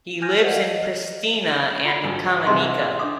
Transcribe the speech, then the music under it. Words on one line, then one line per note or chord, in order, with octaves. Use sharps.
He lives in Pristina and Kamenica.
G#5 F6 G6 G#6 A#6 D#7
A#4 C5 D5 D#5 F#5
D#5 F5
F4 B5
G#1 G2
C2 C3 E3 G#4 D#5 C6
D4 D6 D#6